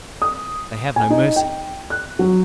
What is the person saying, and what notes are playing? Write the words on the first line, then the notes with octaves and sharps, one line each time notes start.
They have no mercy.
D#6
G#5
D#4
G5
F#6
F#3